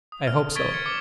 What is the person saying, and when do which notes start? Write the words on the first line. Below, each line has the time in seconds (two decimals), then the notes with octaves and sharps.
"I hope so."
0.12 D#6
0.27 F6
0.55 C#6 G#6 A6 B6 D7 G7
0.71 G#6 C#7
0.86 D6 C#7 G7